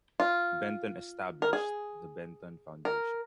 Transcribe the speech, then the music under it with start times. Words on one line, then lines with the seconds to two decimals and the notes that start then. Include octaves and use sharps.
Benton established the Benton Foundation.
0.20 F4
1.42 A#4
1.53 G#4
2.85 A#4